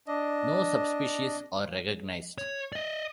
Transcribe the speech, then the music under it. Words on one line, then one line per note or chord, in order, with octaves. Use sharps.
No subspecies are recognized.
D4 D#5
C#5
D5 D#5